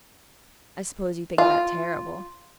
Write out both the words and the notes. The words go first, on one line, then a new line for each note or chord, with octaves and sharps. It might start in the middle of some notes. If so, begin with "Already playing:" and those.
"I suppose you think that terrible."
F4